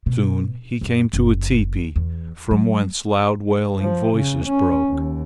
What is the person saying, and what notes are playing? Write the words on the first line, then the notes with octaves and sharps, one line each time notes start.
Soon he came to a teepee from whence loud wailing voices broke.
B2
F#2
F#1
E2
F#3
F3
C#3
C#4
D#2